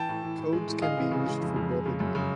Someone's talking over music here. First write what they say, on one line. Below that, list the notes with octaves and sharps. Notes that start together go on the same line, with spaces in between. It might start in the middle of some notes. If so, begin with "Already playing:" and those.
Codes can be used for brevity.
Already playing: E3 G5 A5
A2
E3
A2
G#3
A2
G#3 D#5 F5
E3
C#3
G#3
F2
F2
G#3
C#3
F#2
C#3